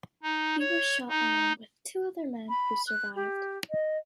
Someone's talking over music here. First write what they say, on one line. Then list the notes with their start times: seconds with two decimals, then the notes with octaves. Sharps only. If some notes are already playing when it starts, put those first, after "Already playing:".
He was shot along with two other men, who survived.
0.23 D#4
0.60 C#5
1.09 D#4
2.49 B5
2.87 F#6
3.15 G4
3.70 D#5